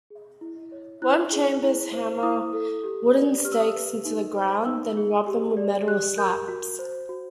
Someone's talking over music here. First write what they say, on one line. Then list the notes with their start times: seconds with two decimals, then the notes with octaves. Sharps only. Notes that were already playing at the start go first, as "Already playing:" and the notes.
Worm charmers hammer wooden stakes into the ground, then rub them with metal slabs.
0.10 G#4
0.41 E4
0.72 C#5
1.02 E4 F#6
1.32 G#4
1.63 E4
1.93 C5
2.23 E4 D#6
2.53 A4
2.84 G4
3.15 D5
3.45 G4 F6
3.52 E6
3.60 D#6
3.68 E6
3.76 B4
4.05 D#4
4.36 C5
4.66 D#4 E6
4.97 G#4
5.27 G4
5.57 D5
5.87 G4 F#6
6.18 A#4 G6
6.48 F#4
6.79 C5
7.09 F#4